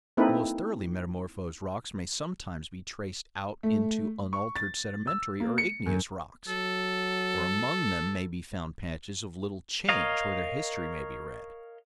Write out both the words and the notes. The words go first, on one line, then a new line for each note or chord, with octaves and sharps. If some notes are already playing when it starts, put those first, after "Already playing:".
The most thoroughly metamorphosed rocks may sometimes be traced out into unaltered sedimentary or igneous rocks, or among them may be found patches of little change where their history maybe read.
A#3 C4 D#4 E4 A4 B4
A3
C#6
A6
E6
A#3
C#7
F#2
F#3 A4
A#4 C#5 D#5 F5